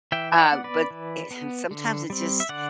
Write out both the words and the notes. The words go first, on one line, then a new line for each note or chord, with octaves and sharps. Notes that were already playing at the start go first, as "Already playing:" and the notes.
uh, but, eh and sometimes it's just
E3 E5 G5
E5
D5 F#5
B3
B4 D5
E3
B3
D3
G3 C4
E5
D3 D5 F#5